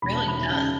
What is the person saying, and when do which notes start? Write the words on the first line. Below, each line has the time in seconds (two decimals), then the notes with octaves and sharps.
Really does.
0.02 E1 B5
0.15 A5
0.26 E1 B5
0.49 C#3